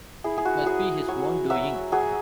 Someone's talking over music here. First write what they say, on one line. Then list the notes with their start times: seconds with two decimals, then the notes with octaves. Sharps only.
It must be his own doing.
0.24 E4 G#4
0.38 G#4
0.45 F#4
0.66 F#3 G#4
1.08 F#3 C#5
1.50 F#3 E5
1.92 F#3 G#4